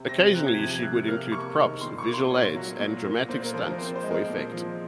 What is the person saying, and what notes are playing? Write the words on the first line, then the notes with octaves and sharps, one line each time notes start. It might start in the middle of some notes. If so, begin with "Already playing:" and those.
Occasionally she would include props, visual aids, and dramatic stunts for effect.
Already playing: C3
C4 A#6
C3 F#6
G#6
F3 G#6
G#6
C3 F#6
A#3 F6
C3 C#6
D#3
A#2 C6
C#6
A#3
C6
A#2 C#5
F#3
A#2
A#3
A#2 C5
A#4
F3 C5
A#4
C4 C5
C5
G#3
A#4
A#2
F3